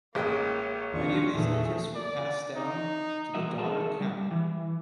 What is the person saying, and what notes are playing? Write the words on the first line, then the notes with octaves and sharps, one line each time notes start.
Many of these interests were passed down to the daughter Kamma.
A1 G#3 A#3 C#5 G5
D#2 D#3 D4 F4 C#6
E2 A#2 E3 A3 G#4
D5
D#4
E3 G3 F#4 D#5 E5
A3 G#4 A#4 A5
G3
E3